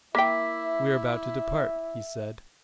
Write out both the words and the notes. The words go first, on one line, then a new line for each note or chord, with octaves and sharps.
"We're about to depart," he said.
A#3 E4 E5 G5 D6 B6